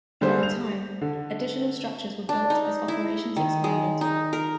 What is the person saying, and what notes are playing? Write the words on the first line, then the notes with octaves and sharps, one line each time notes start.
Over time, additional structures were built as operations expanded.
D3 G3 B3 G#4 C5
F7
D3
D4
D#4
E4
D#3
G#3
D#4
A#4